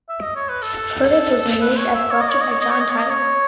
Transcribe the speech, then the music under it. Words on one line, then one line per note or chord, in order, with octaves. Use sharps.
Curtis was removed as collector by John Tyler.
E5
D#5
C#5
B4
A4
B4
C#5
E5
C#5
D#5
C#5
D#5
C#5
D#5
C#5
D#5
C#5
D#5
C#5